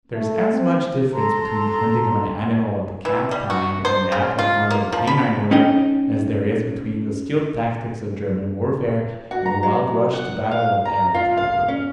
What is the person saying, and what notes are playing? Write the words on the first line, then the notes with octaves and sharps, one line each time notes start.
There is as much difference between the hunting of an animal of the cat-kind and that of one of the canine order, as there is between the skilled tactics of German warfare, and the wild rush to battle of Arab cavalry.
A3
C4
A4 A5 A#5 C6
E3
G3
F#4
C5
C#3
F4
A#3
F3
B5
C#4 D#4 D#5 G5
F#4
A#5
F#3
F#5
F5
A#5
F4
F5
C#4